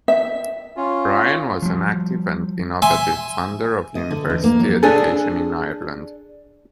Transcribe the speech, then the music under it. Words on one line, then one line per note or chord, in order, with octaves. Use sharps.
Ryan was an active and innovative funder of university education in Ireland.
E5
C#4 F4
F3 G3
E5 G#5 C6
D#5
D3
E2
A#3
F#3
D4 G#4 A4